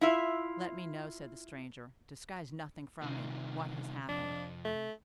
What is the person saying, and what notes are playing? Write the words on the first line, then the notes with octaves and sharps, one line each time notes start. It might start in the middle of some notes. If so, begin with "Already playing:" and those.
"Let me know," said the stranger,--"disguise nothing from me--what has happened?"
E4 F4 E5
C2 C3 D#3 F4
F2 D4
A3